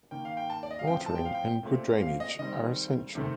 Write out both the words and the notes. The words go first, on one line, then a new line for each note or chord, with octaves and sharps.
Watering and good drainage are essential.
D#3 A#3 G5
F5
G5
A5
D5
D#5
F5
A2 F3 C4 G5
A5
G5
F5
G5
A#2 A3 C4
F5
D#5
D#3 G3 C4 D#5
C3 D#3 A3 C4